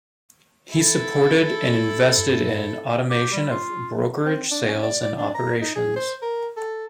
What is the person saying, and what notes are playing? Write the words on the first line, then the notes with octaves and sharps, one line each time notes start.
He supported and invested in automation of brokerage sales and operations.
E4 A4
G2
G4
G3
F4
C4
D4
C#4
D5
D5
D4
A#5
D#4
G#4
C5
A#4
A4